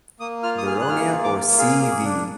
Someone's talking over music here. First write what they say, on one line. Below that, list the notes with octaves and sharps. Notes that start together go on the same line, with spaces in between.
Vironia or C!V!
A#3 D#6
F4 F6
D#6
G#4 F6
F#6
A#3 F6
F4
D6
A#3
G#4 F5
G#4
D4